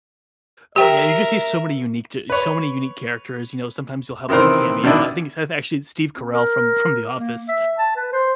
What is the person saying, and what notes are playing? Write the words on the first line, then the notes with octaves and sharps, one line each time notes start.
Oh, yeah, you just see so many unique t so many unique characters, you know, sometimes you'll have like a cameo. I think it's actually Steve Carell from from the Office.
G4 A#4 E5 G5
B4 C#5
C3 D#3 E3 A#4 C5
B2 D#3 D4 E4
C4
A#4
A#3
E5
A5
B4
C5